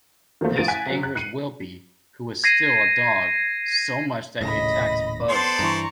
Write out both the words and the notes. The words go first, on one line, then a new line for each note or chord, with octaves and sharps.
This angers Wilby, who is still a dog, so much that he attacks Buzz.
D#3 F3 F#3 A3 C4
A1 F3 A6 D7 D#7 F7
F#5 G#5 F#6 B6
C3 F#3
F#6
F#6 C7 C#7 D#7 F#7
G#6 A#6 C7 D#7
D#1 A2 C#3 D#5 B5 A#6
B3 A4 C5 D5 A5 C6
G2 E3 A#5 C6 C#6